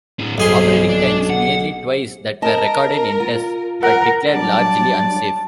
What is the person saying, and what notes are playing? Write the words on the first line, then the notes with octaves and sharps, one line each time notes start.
Operating times nearly twice that were recorded in tests, but declared largely unsafe.
A2 D4
B1 G2 C4 G#4 C6
D4
F#5
A#4 D#5 A5
F4
A#4 F#5
F#3 G3 D4 D5 A5